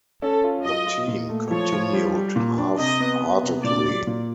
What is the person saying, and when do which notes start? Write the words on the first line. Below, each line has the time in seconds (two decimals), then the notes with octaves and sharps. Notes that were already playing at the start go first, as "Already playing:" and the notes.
The team continued half-heartedly.
0.22 C#4 A4
0.44 F4
0.65 F#3 D#5
0.87 F4
1.08 A#2
1.29 A3
1.50 F3 C#5
1.72 F3
1.93 G3
2.15 G3
2.36 A#2
2.58 D4
2.79 C3 D#5
3.00 B3
3.22 B3
3.43 C3
3.64 A#2 D5
3.86 F#3
4.07 A#2